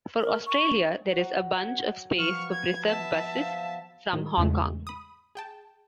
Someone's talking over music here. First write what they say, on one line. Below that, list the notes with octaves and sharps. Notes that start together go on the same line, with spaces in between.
For Australia, there is a bunch of space for preserved buses from Hong Kong.
A#4
C#6
F#3 F#4
F#5 G5 G#6
F3 B4 C#6 F6
G#6
B3 E5 A5
C5 F5
A2 D#3
E2 G#2 C#3 G#3 A3
B5 D#6
G#4 G5 A5